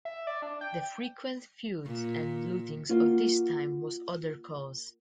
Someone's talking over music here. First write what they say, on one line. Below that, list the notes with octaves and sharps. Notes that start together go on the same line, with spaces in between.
The frequent feuds and lootings of this time was other cause.
E5
D5
D4
G5
A#2
A#3 F4 F#4